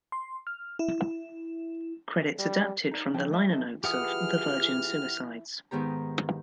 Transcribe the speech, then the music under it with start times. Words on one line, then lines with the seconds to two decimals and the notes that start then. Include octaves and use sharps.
Credits adapted from the liner notes of "The Virgin Suicides".
0.12 C6
0.47 F6
0.79 E4
2.39 G3
2.91 D#4 D5
3.14 C#3 F3 C#4 D#4 C5 G5
3.31 G#3 D#5 E5 B5
3.50 F#3 D#4 A4 D#5 E5
3.84 E3 F4 G4 G#4 F#5 D#6 F6
5.71 G#2 D#3 B3 G4 A#5